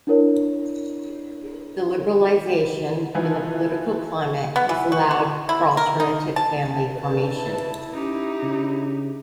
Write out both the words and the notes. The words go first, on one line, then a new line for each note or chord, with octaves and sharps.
The liberalization of the political climate has allowed for alternative family formation.
D4 E4 A#4 C#5
E3 F3 D#4 E4 B4
B3
E3
F#4
F#4
E4
A#4
D#4
A5
D3 B4 A5
E4
C#4 D#4 G4
C#3 D4